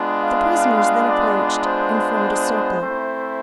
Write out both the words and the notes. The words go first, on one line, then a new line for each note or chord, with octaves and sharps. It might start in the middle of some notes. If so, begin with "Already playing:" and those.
The prisoners then approached and formed a circle.
Already playing: G#3 B3 D4 F4
F5
D5
D5
C5
A3 C4 E4